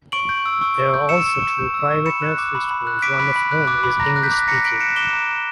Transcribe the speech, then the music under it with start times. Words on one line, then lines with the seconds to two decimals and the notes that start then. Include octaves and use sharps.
There are also two private nursery schools, one of whom is English-speaking.
0.12 C#6 D7 F#7
0.29 G6
0.46 E6
0.62 C#6
0.78 C#6
0.94 G6
1.09 E6 C#7 E7
1.26 C#6
1.42 C#6
1.58 G6
1.74 E6
1.91 C#6
2.06 B5 C#7 E7
2.22 F#6
2.38 D6
2.55 B5
2.71 B5
2.87 F#6
3.02 D6 B6 D7
3.20 B5
3.36 B5
3.51 F#6
3.67 D6
3.83 B5
4.00 A#5 A#6
4.16 F#6
4.23 G6 B6
4.31 D6
4.48 A#5 A#6 C#7
4.64 A#5 B6 D7
4.80 F#6 C#7 E7
4.96 D6 E7 G7
5.13 A#5
5.28 A#5